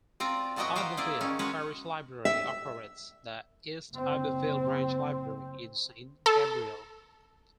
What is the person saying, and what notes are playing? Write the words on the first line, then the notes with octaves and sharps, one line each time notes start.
Iberville Parish Library operates the East Iberville Branch Library in Saint Gabriel.
C4 F4 D5 A#5
A2 F#3 B3 F#4 D#5 G5
B3 C5 F5 G5 A#5
A#3 E4 G#4 D5
D#3 C#4 D#4
G#3 C#4 F#4 B4 C#5
E5
F#1 C4
A4